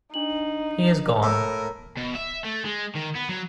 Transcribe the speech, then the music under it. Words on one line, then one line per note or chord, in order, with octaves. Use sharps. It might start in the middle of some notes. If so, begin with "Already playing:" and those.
He is gone.
D4 D#4 F#7
A2 A#4 E6
B2
E5
A3
G#3
D#3
B3
F#3